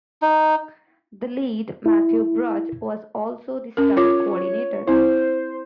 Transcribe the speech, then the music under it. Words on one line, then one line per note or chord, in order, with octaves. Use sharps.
The lead, Matthew Bruch, was also the Stunt Coordinator.
D#4
E4
C#4 A#4
F4 C#5 D6
C4 E4 C5